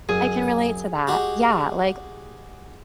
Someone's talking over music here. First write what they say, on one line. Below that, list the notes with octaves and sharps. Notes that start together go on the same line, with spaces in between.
I can relate to that. Yeah, like,
F#2 G#4
G#3 F#4 G4